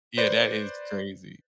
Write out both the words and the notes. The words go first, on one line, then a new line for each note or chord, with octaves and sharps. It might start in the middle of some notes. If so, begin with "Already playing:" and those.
Yeah, that is crazy.
B4 C5 D5